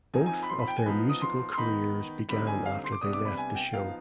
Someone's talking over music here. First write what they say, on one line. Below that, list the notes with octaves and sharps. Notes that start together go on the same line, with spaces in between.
Both of their musical careers began after they left the show.
F3 C4 D#4 G#5
G#5
B5
C6
B5
G5
G#5
F3 B3 D#4 B5
D#6
C6
C6
D#3 B3 D#4 B5
D3 G3 C4 D#4 B5
G#5
F5
C6
D6
C3 G3 B3 D4 D#6
D6
B5
G#5
G5
F3 B3 D#4 F5